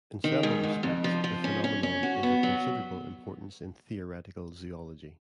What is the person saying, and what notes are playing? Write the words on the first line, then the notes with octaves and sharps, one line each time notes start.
In several respects, the phenomenon is of considerable importance in theoretical zoology.
D#3
G#2
G#2
F2
F3
F3
C#4
C#4
C#4
F#4
B3
F#3